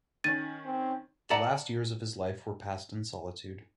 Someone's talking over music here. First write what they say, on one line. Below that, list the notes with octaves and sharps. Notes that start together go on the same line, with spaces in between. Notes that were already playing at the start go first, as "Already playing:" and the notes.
The last years of his life were passed in solitude.
D#3 C#4 A6 D#7
C4
D5 E5 F#5 A5 A#5